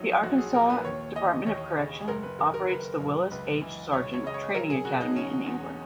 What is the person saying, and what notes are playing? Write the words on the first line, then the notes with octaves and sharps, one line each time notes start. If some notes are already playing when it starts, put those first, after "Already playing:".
The Arkansas Department of Correction operates the Willis H. Sargent Training Academy in England.
Already playing: A#1 F#3 D#4
A#1 F#4
G#4
A#2 A#4
B4
D#2 C#5
E3 D#5
D#2 C#5
C#3
F#1 A#4
B4
D#3 A#4
A#4
F#1 B4
F#2
C#2 B4
E3
C#2 C#5
C#5
C#3 D#5
C#5
F#3 A#4
G#4
C#3 F#4
D#4
E1 C#4
E2